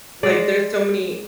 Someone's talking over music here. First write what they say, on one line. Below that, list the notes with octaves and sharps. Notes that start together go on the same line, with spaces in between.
Like there's so many
G#3 D5